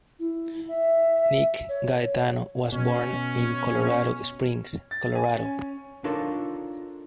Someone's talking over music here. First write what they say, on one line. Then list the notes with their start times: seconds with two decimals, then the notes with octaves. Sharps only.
Nick Gaetano was born in Colorado Springs, Colorado.
0.19 E4
0.68 E5
1.69 C#5
2.72 B2 C#4
4.91 A6
5.15 G#5
5.35 C#4
6.04 D4 D#4 F4 A4 A#4 C#5